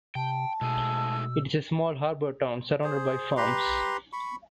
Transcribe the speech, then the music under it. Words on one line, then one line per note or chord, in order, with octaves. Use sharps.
It is a small harbor town surrounded by farms.
C3 G5 A5
G#2 B2 A3 G#4 E6
G#4 C5
G4 B4 A#5 C6
B5 C#6